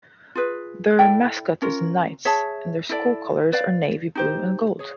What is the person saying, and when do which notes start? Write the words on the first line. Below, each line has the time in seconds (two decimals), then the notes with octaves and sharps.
Their mascot is the Knights and their school colors are navy blue and gold.
0.35 F4 G#4 B4
0.99 E4 A4 D5 G5
1.62 C#4 F4 A#4
2.25 G#4 C#5 E5 A5
2.89 E4 A4 D5
3.52 B4 D5 F5
4.15 D#4 G4 C5
4.79 G#4 C#5